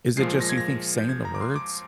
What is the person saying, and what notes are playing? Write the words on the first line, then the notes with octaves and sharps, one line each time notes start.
Is it just you think saying the words?
A#2 F3 G#3 C7
A#6
G#6
A#6
G6
G#6
A#5
D6
C6
D6